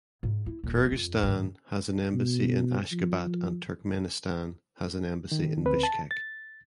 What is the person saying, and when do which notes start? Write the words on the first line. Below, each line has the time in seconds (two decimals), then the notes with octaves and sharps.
Kyrgyzstan has an embassy in Ashgabat and Turkmenistan has an embassy in Bishkek.
0.23 G#2
0.46 E4
0.64 D#1
0.92 F2
1.23 G#2 D#3
2.14 B2
2.92 F3
5.32 D#3
5.65 D2 C4 B4
5.83 A5
6.11 A6